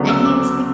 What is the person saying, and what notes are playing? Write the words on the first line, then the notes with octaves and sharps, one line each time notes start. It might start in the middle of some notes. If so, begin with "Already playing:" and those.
And he was like
Already playing: D2 C#3 F#3 B3 D4
E6
D6